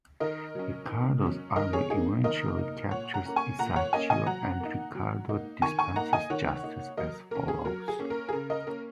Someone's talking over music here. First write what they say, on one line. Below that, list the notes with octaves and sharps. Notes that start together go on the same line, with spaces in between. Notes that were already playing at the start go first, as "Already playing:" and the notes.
Riccardo's army eventually captures Isacio, and Riccardo dispenses justice as follows.
D#3 A#4 D#5
F#3 C#4
D#3
F#3 C#4
D#3 A#4 D#5
G#4 C#5
A#3 D#4 G#4
D#3 A#4 D#5
A#3 D#4
A#2 C#5 F#5
F#5 A#5
A#3 C#4
G#5 C#6
A#2 F#5 A#5
C#5 F#5
A#3 C#4 D#5 G#5
D#5 G#5
F#3 F#5 A#5
A#3
D#4
F#3
A#3 D#4
D#3 G#5 C#6
G#5 C#6
A#3 D#4 F#5 A#5
D#5 G#5
D#3 C#5 F#5
A#3 D#4
F#3 A#4 D#5
A#3 C#4 A#4
G#4
F#3 A#4
G#4
A#3 C#4
A#4
G#4
C#3 A#4
A#4 D#5
A#3 C#4 A#4